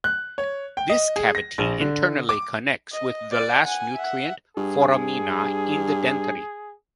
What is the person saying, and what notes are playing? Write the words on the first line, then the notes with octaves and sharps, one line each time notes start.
This cavity internally connects with the last nutrient foramina in the dentary.
F#6
C#5
G5
D#5
G#4
A#6
A#1
D3
D6
D#5
D5 D6
F#5 G#5
E5 F#5
G2 G#4